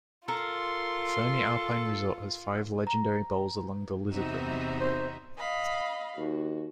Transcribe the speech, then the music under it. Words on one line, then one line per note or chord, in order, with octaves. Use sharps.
Fernie Alpine Resort has five Legendary Bowls along the Lizard Range.
F4 A4 A#4 C6
A#5
E2 C3 C4 D#4 F#4 E5
C5
D#5 F5 B5
D#2 F#4